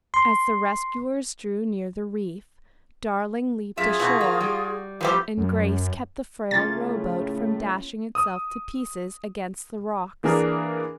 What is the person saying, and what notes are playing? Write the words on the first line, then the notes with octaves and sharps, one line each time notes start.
As the rescuers drew near the reef, Darling leaped ashore, and Grace kept the frail rowboat from dashing itself to pieces against the rocks.
C6
F#2 F4 G#4 E5
B2 E4 F#4
A#3
G3
F3 G3 A3 B3 C4 G4
F#2
A2 C#3 A3 A#3 C#4 F4 A6
D#6 E6
E3 A#3 D4 G#4 A#4